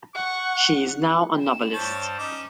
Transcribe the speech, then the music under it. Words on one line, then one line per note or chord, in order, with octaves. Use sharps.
She is now a novelist.
F#5 C#6
E7
G2 G3 C5 C#5 A5
C#4 D#4 D6